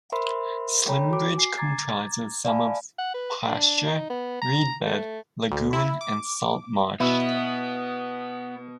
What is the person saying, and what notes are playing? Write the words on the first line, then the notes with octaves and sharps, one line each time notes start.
Slimbridge comprises some of pasture, reed bed, lagoon and salt marsh.
A#4 C5 E5 B5 C6
A4 C#5 G5 A#5 B5
F#4 D6
G#5 C7
A#5 D6 G#6 A6
D5 E5 F5 G#5 A5 B5
F#5
B4
D4
D#4
B3
A#5
A3
D2
E4
D6
B2 B3 E4